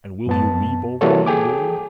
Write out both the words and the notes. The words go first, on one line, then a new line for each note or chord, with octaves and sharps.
"And will you weep over me, will you?"
F#2 B3 A5
E3 G3 A#3 F#4 A4 C#5
G#4 A4 G5 G#5 D6